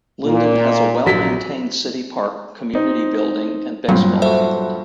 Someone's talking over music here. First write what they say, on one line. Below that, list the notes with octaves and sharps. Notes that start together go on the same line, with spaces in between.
Linden has a well maintained city park, community building, and baseball field.
A#2 A#3
A#1 F#3 B6
C4 D#4
G2 A#2 F#3 C4
F#4 A4 C5 E5